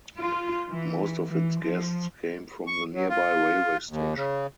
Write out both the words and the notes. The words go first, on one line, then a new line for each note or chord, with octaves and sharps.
Most of its guests came from the nearby railway station.
F4
E3
E3
F3
C#6
F#3
F4
D#2
C#3